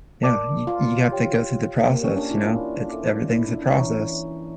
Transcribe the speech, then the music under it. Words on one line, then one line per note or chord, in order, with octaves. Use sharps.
yeah, you you have to go through the process, you know? It's everything's a process.
A#4 D5 A5 D6
F4
G4 C#5 G5
A#3
C#4 G4 C#5 G5 C#6
D4
E4
F4
A4 E5 A5 D6
E4
D4
C#4
E3 C#5 E5 A#5 C#6